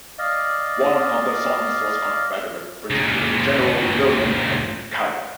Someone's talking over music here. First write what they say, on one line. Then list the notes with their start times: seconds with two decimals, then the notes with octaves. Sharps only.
One of their sons was Confederate Brigadier General William Henry Carroll.
0.19 D5 D#5 F5
2.90 C#2 A#2